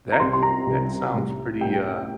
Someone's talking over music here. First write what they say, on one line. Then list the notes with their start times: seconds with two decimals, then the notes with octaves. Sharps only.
that that sounds pretty, uh
0.12 A#5
0.20 C2 C3 G3 C6
0.33 C6
0.43 A#5
0.66 C2 C3 G3
1.14 A2 G3
1.60 A2 G3 G5